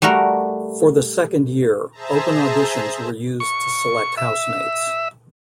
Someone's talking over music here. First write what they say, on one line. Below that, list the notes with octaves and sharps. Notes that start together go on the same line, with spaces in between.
For the second year, open auditions were used to select housemates.
G3 A3 F#4 A#4
G#4 C5 E5 A5 A#5
C#6
E5